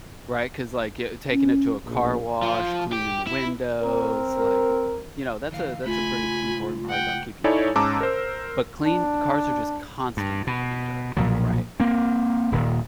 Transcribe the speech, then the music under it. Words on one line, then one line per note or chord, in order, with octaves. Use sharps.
right, 'cause, like, y taking it to a car wash, cleaning the windows, like, uh, you know, that's a that's a pretty important part about keeping your car clean, but clean cars are just constantly getting dirty, right,
C#4
A#1
F3
G4
E4
C4 A#4
D2 E3 F5
C#2 A3 F4 G#5 B5
F#5 G5
D#4 E4 A4 C#5 D5 G#5
G#2 C#4 A5 A#5 D6 E6
A#4 C5
D4
G2
B2
B1 A#2 F3 F#3
A#3 C4
D#1 A#2 D#3